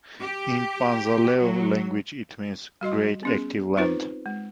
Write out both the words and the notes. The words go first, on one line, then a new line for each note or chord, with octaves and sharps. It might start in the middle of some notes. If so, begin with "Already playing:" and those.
In the Panzaleo language it means: Great active land.
G4
F#3
G3 F#4 D#5 C6
B3 C#4 G#4
C4 D#4 F4 B4 C5
G#3